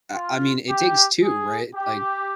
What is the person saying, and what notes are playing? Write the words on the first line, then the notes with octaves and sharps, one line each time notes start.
I I mean, it takes two, right, like
F4
G4
G#4
G4